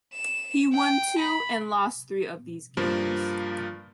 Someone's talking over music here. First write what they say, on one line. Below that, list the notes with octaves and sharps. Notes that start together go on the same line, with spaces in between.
He won two and lost three of these games.
E7
G5
B5
G2 F3 A#3